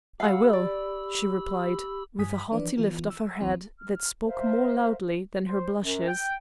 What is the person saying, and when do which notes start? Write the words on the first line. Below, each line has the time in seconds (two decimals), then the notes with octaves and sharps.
"I will," she replied, with a haughty lift of her head that spoke more loudly than her blushes.
0.20 G4 F5 F#5 B5 E6
0.53 D5
2.19 G2 G#5 D#6 B6
2.51 E3 F3 D4 B4 D5
2.78 E3 B3 F4
3.10 E6
3.40 A1 D2 E3 C4 C6
3.78 F6
4.24 A#4 C5 E5 F5
5.46 C5
5.81 F#2
6.08 G5